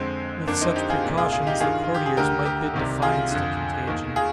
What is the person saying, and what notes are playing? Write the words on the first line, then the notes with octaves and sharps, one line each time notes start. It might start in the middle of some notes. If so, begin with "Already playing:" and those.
With such precautions the courtiers might bid defiance to contagion.
Already playing: F2 D3 G#3 C4
F2 D3 A#3 D4
C4 D#4
D#4 G4
F4 G#4
C2 A#2
F4 G#4
F4 G#4
D#4 G4
G2 D#3 F4 G#4
F4
G4
G#4
D2 D3 G4 A#4
G4 A#4
C2 C3 D#3
F4 G#4
F2 D3
D#2 D#3
F4 G#4